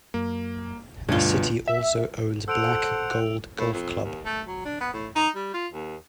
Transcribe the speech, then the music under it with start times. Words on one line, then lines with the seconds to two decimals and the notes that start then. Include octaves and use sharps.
The city also owns Black Gold Golf Club.
0.14 F#2 A#3
1.08 D2 G2 B2 D4 F4 C#5
1.68 E5
2.48 A4 C5 F#5 E6 D7 F7
3.59 A2
3.72 F2
4.03 D#2
4.25 A3
4.48 F#3
4.65 D4
4.80 B3
4.93 A2
5.16 D#4
5.36 G3
5.54 F4
5.73 D#2